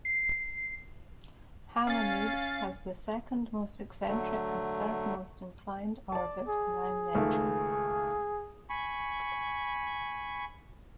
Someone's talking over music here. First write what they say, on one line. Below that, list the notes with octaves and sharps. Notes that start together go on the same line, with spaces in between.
Halimede has the second most eccentric and third most inclined orbit around Neptune.
C7
C#4 F5 A6
D3 F#3 A3
D5 A5
G#4
C#2 D#3 A3
G#5 B5 C#6